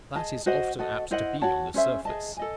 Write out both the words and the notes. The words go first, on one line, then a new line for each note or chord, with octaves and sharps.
That is often apt to be on the surface.
G#4 D#5 A5
F#4 C5 D#5 F#5
F#4 A4 D#5
E4 C5 D#5 F#5
F#4 C#5 F#5 A5
C#4 G#4 C5 E5
G#4 D#5 A5
A4 D#5 G#5